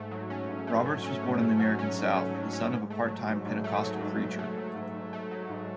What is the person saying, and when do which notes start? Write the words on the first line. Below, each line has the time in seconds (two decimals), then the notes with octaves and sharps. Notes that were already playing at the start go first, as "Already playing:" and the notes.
Roberts was born in the American South, the son of a part-time Pentecostal preacher.
Already playing: G#2 A3
0.11 F#3
0.30 C#4
0.48 G#2
0.67 A3
0.85 F#3
1.04 C#4
1.23 G#2
1.41 A3
1.60 F#3
1.79 C#4
1.97 G#2
2.15 A3
2.35 F#3
2.53 C#4
2.72 G#2
2.90 A3
3.08 F#3
3.28 G#2
3.46 G#2
3.64 A3
3.83 F#3
4.01 G#2
4.20 G#2
4.39 A3
4.57 F#3
4.75 G#2
4.94 G#2
5.13 A3
5.31 F#3
5.49 G#2